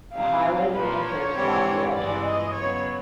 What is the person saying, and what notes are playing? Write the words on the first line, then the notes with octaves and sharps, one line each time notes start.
The highway then enters Lafayette County.
A#2 G3 C4 D#4 G4 F5
A#2 F3 A#3 B4
C#5
G#2 E3 G3 C4
G2 E3 G#3 D5
D#5
C#3 F#3 B3 C#5